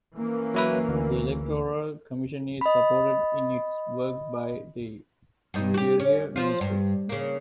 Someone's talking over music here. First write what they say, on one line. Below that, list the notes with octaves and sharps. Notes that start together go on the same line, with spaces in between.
The Electoral commission is supported in its work by the Interior Ministry.
E3 A#3 C#4
F#3 E4 B4
D2
D#5 B5
G2 D#4
F#4 G4
C#4
F3 F4
G2
C#3 A#3